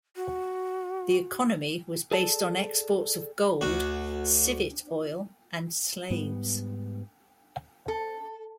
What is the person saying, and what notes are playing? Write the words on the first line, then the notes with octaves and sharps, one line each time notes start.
The economy was based on exports of gold, civet oil, and slaves.
F#4
G#4 A4 D5 A5
D2 F#4
G#2 G3 B3
A4